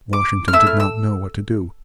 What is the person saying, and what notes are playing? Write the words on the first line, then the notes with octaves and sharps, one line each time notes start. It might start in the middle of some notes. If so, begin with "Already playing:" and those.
Washington did not know what to do.
D6
F6
A3 E4 E6
F6
E6